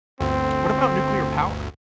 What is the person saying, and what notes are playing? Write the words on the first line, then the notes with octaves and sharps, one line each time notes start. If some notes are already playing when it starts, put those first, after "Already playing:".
What about nuclear power?
G1 D2 C4